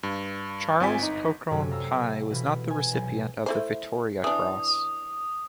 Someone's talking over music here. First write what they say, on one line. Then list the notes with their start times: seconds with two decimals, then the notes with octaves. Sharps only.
Charles Colquhoun Pye was not the recipient of the Victoria Cross.
0.03 G2
0.80 G#1 C4 F4 G#5 B6
0.98 G1 D#4
1.51 F#2 C3 C#4 A4 D6
1.71 F5 A#5 E6
2.30 B2 E3 B4
2.70 G#5
2.93 B1
3.46 A3 E4 C5
4.24 E3 D4 D#6